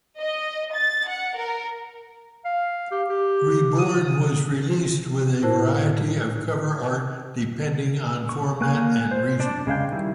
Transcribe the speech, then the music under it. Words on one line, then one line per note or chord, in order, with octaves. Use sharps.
"Reborn" was released with a variety of cover art, depending on format and region.
D#5
A6
F#5
A#4
F5
G4
G4
D#6
A2 E4 A#4 C5 A5 F#6
C#6
A#3 A#4 G#5 F#6
C5
D4 D5 A5
C#3 G#3 F5 G5
D#3 G3 E4